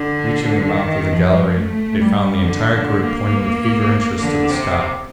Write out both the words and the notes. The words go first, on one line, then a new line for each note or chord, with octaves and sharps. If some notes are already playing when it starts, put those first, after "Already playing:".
Reaching the mouth of the gallery, they found the entire group pointing with eager interest to the sky.
Already playing: D3
D#3
F3
A3
G3
D3
D3
A#3
D3
C3